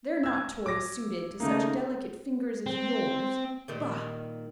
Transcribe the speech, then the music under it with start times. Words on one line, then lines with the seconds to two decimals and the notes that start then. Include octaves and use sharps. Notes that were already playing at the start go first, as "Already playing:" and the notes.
They're not toys suited to such delicate fingers as yours! Bah!
0.23 E6 G#6
0.66 D6 A#6
1.40 C#3 A3 A#3 D#4
2.66 C4
3.68 A#2 D#3 G3